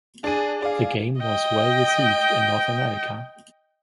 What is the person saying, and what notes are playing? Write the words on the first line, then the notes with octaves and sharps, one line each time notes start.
The game was well received in North America.
D4 G#4 D#7
G#4 D5 F5
D#5 G5